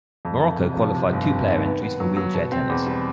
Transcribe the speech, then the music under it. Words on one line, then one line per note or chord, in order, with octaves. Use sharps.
Morocco qualified two player entries for wheelchair tennis.
F2
F2
C3
F3
C3
G1
C3
D#3
B3
B3
F#3
F#3
B2
C4
E2
G3